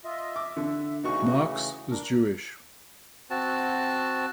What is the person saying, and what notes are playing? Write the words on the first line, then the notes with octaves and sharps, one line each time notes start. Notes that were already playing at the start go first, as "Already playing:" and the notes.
Marks was Jewish.
F4 D#5 E5
E5 D6
D3
C#3 E3 A3 D#4 F#4 C#6
D4 A#4
C4 F#4 A5